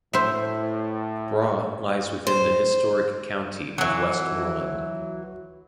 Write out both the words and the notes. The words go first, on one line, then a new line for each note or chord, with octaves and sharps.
Brough lies within the historic county of Westmorland.
A2 C5 E5
C5
E3 F#3